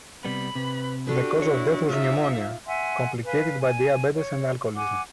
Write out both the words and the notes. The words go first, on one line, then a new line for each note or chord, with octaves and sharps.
The cause of death was pneumonia, complicated by diabetes and alcoholism.
C3 G3 B3 B5
C3 B4
B3 D4 F#4 G4 A4 B4
E4 C#5
D#4 F4 E5
E5 F#5 G#5 C6
B4 F5 G#5
G#5
C#5
F#5 G#5 D6